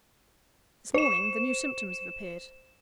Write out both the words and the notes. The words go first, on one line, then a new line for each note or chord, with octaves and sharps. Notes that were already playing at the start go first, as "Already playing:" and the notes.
"This morning the new symptoms have appeared."
C5 E7